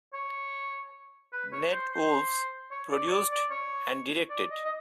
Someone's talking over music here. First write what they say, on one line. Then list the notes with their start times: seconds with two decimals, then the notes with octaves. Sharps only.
Nat Wolff produced and directed.
0.14 C#5
1.33 B4
1.53 C#5
1.72 C5
1.92 C5
2.71 C#5
2.92 D5
3.07 C#5
3.11 D5
3.31 D5
3.51 C#5
4.30 D5
4.51 D#5
4.64 D#5